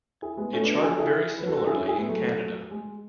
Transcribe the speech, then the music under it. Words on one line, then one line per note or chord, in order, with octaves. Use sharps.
It charted very similarly in Canada.
E4 G#4
G#3 B3
A3 C#4
B3 D4
D4 F#4
G#4
A4
E4 G#4
B4
F#4 A4
F#4 A4
E4 G#4
C#4 E4
E4 G#4
G#3 B3
F#3 A3
G#3